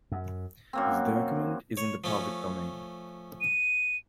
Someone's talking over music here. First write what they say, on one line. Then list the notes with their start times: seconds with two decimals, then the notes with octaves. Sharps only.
This document is in the public domain.
0.12 F#2
0.73 F#2 A#3 C4
1.77 C#5
2.04 F3 A3 C#4
3.41 D#7